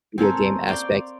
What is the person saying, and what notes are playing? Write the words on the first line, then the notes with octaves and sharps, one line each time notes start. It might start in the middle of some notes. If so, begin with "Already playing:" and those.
video game aspect,
C4 C#4 A4 A#4
D5 F5 G5